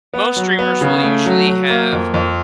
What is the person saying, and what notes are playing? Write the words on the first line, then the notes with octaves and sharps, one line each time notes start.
Most streamers will usually have
B3
F#3
B3
C#3
A3
F#3
F#3
A#3
F2
F2